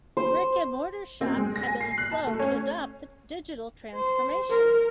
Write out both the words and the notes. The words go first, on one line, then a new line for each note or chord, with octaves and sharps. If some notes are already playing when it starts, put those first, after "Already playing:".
Brick and mortar shops have been slow to adopt digital transformation.
C5
C4
G#3
A#6
G#5
C7
F#6
A5
A3
C#4
C5
A#4